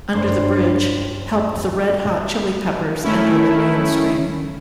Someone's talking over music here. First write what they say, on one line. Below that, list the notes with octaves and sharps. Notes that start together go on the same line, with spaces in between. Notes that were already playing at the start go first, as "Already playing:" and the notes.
"Under the Bridge" helped the Red Hot Chili Peppers enter the mainstream.
F#1 G2 D4 C5
D#3 A3 C#4 E4